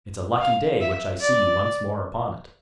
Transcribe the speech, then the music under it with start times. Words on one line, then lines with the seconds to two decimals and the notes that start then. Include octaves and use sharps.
"It's a lucky day which I see you once more upon it."
0.41 F5
0.81 E5
1.20 D5